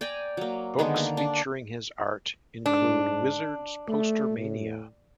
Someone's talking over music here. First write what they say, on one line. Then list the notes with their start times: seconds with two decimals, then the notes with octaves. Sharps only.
Books featuring his art include Wizard's PosterMania!
0.01 D5 G5 G#5 A#5
0.37 F#3 A#3
0.79 D3 D#3 G#3 B3
0.96 A#3
1.17 D4
2.66 G#2 D4
3.88 A3
4.38 A2